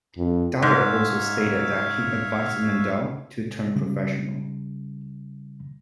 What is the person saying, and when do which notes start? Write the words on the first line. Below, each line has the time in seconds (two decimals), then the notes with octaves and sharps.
Dyer also stated that he advised Mandell to turn professional.
0.17 F2
0.62 G#2 C#5 E5 F5
3.76 C#3 G3